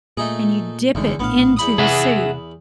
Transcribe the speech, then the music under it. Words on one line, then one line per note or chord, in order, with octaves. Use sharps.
and you dip it into the soup
A#2 A3 D#4 G#4
F#1 E2 D3 D#3 G#3
A#1 A2 B3 D4 F5
E2 B5 D#6
C3 G#4 E5 F#5